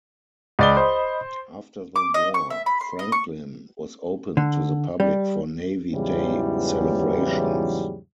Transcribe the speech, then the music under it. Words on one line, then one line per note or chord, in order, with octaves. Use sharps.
After the war, "Franklin" was opened to the public for Navy Day celebrations.
C#2 D5 D#5 B5 D#6 G7
C5
D6
D#5
C#6
E5
B5
C6
D#5
C#6
D3
G3
E2 G#2 C#3 E3 F#3 G3